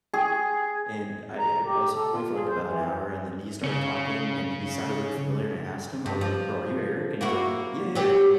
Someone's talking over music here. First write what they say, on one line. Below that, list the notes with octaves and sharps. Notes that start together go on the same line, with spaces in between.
and I I I was playing for, like, about an hour and then he started talking and he sounded really familiar and I asked him, I'm like "Bro, are you Eric," And he's like, "Yeah, yeah,"
G#4
F2
A#5
G4
A4
F4
G#4
C5
E3
C#3 C#4
G2
F3
A#3 E4 F#4
F#3 G3 G4